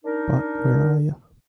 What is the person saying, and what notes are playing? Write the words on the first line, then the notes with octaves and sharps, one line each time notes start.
But where are yer?
D4 D#4 A#4